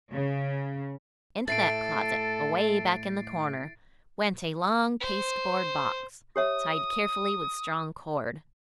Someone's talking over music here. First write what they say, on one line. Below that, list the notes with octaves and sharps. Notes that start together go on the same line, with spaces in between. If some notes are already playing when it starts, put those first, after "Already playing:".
Into that closet, away back in the corner, went a long pasteboard box, tied carefully with strong cord.
C#3
A2 A4 A6 C7 D7
C5
G4 C#5 E5 D#6